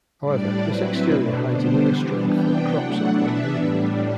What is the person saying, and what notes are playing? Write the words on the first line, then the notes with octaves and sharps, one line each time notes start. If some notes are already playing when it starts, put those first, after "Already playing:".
However, this exterior hides an inner strength that crops up when needed.
A2 G3 D4 D5
F#3 C4 E4 B4
B2 A3 D4
D3 G3 B3 D4 C5
E3 G3 B3 D4
C3 E3 B3 D4 G5
F#3 A3 D4 F#5
E3 B3 D4 E5
A2 G3 D4